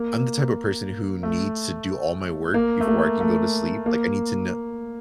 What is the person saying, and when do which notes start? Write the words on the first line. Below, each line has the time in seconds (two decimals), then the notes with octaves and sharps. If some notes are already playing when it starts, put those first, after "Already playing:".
I'm the type of person who needs to do all my work before I can go to sleep, like, I need to kno
Already playing: A#3
1.23 A3
2.54 A#3
2.81 A3
2.87 A#3
3.20 A3
3.86 A#3